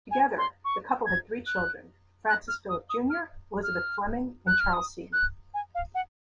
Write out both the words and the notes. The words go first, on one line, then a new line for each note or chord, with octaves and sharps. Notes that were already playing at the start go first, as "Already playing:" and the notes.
Together the couple had three children: Francis Philip Junior Elizabeth Fleming, and Charles Seton.
G#5
C6
C#6
G#6
F#6
F#6
F6
D#6
D#6
F6
F6
F#6
F6
D#6
F#6
G#5
F5
F#5